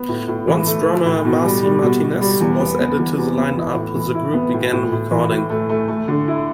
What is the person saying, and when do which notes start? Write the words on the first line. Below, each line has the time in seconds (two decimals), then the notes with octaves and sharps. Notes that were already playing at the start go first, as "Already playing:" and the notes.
Once drummer Marci Martinez was added to the line-up, the group began recording.
Already playing: B3
0.08 A2
0.28 A2
0.48 E3
0.67 A3
0.86 A3
1.06 A2
1.25 B2
1.44 G3
1.63 G3
1.82 B2
2.02 B2
2.21 G3
2.41 E2
2.60 B3
2.79 B3
2.99 E2
3.18 E2
3.37 B3
3.56 E3
3.75 A2
3.95 E3
4.15 E4
4.34 B3
4.53 A2
4.73 A2
4.92 A2
5.11 E3
5.31 A2
5.50 A3
5.69 A3
5.88 A3
6.08 D3
6.28 E4